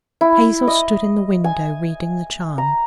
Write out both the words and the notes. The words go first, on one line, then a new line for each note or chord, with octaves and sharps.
Hazel stood in the window reading the charm.
E4
D#5
G#5
A#5